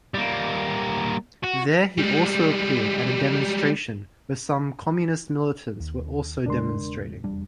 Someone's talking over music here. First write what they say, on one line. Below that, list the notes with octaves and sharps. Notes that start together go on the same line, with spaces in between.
There he also appeared at a demonstration where some Communist militants were also demonstrating.
G3 A#3
F#4
G3 G#3
D#2
E1 C#3 G#3 D4 A#4 C6
F1 E2 G3 D4